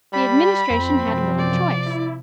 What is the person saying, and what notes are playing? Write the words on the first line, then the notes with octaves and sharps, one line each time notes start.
The Administration had little choice.
G3 B5
F2 C4
F#2 C3 F3
D5
E4